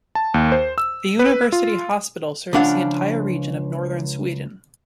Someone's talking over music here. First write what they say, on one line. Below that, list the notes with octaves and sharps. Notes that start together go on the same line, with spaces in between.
The university hospital serves the entire region of northern Sweden.
A5
D#2
C5
E6
B4
F4
C#2 F3 D4 F5 F#5